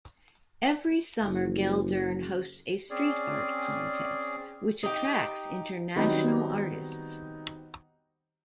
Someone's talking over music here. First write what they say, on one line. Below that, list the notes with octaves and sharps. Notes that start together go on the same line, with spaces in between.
Every summer Geldern hosts a street art contest, which attracts international artists.
F#1
C4 C#4 G#4 D5
D#4 G4
D#3 F#3 G3 B3 C4 D#4